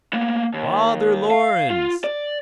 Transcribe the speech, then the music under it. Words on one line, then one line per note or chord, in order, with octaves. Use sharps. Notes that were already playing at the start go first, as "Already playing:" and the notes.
'Father Laurence!
A#3 B3
D#2
F5
F4
D5